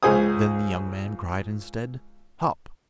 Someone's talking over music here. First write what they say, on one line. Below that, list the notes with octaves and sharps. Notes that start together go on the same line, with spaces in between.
Then the young man cried instead, 'Hop!
C#2 G#4 C5 G#5 D#6